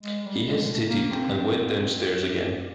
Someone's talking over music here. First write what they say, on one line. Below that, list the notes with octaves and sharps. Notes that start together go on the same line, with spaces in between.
He hesitated and went downstairs again.
G#3
G3
G#3
A3
A#3
C4